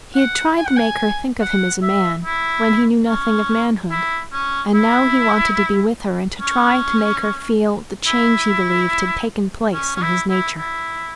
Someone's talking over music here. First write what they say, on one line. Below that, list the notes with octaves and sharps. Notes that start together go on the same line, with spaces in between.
He had tried to make her think of him as a man when he knew nothing of manhood and now he wanted to be with her and to try to make her feel the change he believed had taken place in his nature.
F#5
G#5
F#5
G#5
F#5
E5
E4
C#4
E4
C#4
E4
C#4
E4
C#4
C#4
E4
E4
E4